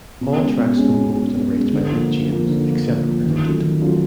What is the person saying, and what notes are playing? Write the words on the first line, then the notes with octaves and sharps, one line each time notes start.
All tracks composed and arranged by Rick James, except where noted.
B2
G#3 C#4
B2
G#3 C#4
B2
G#3 C#4
B2
G#3 C#4
D3
F3 A#3
D3
F3 A#3
D3
F3 A#3
D3
F3 A#3
D#3
F#3 A3 C#4 F4
D#3
F#3 A3 C#4 F4